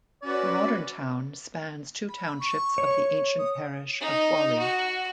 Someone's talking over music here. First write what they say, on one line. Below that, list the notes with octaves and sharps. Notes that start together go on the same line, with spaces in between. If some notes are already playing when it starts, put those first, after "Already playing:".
The modern town spans two townships of the ancient parish of Whalley.
C#4 F#4 B4 D5
B5
C#6
C#5
D#6
D#4
F#4